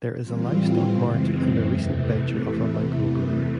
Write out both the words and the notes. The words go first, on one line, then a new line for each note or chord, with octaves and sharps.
There is a livestock mart and a recent venture of a microbrewery.
A2 E3 G3 C4 F4
F#2 C#3 E3 G#3 C4
E2 C3 E3 A3